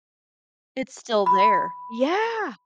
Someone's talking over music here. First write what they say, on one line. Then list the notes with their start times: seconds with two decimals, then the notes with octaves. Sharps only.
It's still there, yeah.
1.26 B5